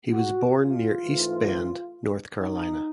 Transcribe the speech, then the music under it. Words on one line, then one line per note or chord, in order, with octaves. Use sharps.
He was born near East Bend, North Carolina.
F#4
F4
G#2 E3 A3
D#4